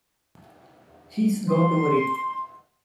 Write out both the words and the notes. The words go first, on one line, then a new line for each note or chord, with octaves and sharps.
He’s got over it.
C6